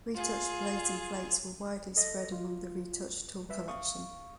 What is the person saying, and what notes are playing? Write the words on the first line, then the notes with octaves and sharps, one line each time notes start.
Retouched blades and flakes were widely spread among the retouched tool collection.
F4 G#4
A4 D#5 A#6
F4
G3 B4 E5
F5 C#6 D#6